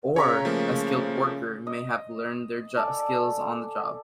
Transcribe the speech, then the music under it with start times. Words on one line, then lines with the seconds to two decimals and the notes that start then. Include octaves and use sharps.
Or, a skilled worker may have learned their skills on the job.
0.16 C#3 C#5 A#5 B6
0.45 F3 A3 A#3
1.67 D#5
2.77 A4 D5 G#5